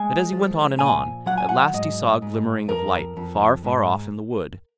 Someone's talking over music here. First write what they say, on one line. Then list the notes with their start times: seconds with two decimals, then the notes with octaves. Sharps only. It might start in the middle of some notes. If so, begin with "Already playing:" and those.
But as he went on and on, at last he saw a glimmering of light far far off in the wood.
Already playing: G#3 G#5
0.32 F3
0.79 A#2 G#5
1.26 F#3 F#5
1.38 G#5
1.49 F#5
1.74 G#2 D#5
2.22 G#2
2.68 F2 A#4
3.17 F2
3.64 G#2